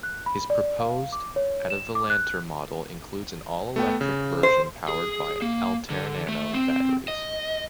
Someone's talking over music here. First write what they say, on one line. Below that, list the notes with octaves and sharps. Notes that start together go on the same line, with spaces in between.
His proposed Autovolantor model includes an all-electric version powered by Altairnano batteries.
F#6
B5
D5
F5
D6
C#5
E7
D6
F#6
A3 B3 G5
C#3
C5
G#4
A#3
D3
A3
C4
D#5